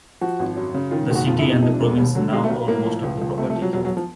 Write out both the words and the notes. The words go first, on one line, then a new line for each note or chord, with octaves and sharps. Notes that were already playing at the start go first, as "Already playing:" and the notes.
The city and the province now own most of the property.
F3 F#4
G#1
F#2
C#3
D#3 F4
F#1
F#4
F2 F4
E4
C3
D#4
F3 D#4
D4
E1
G#3
D#2 G3
D3 F#3
B1 G#3
A3
B1
B3
A2 A#3
F3
C#2
C#2
C3 A3
A3
F3
F#3
E1 F#3
F#3
F3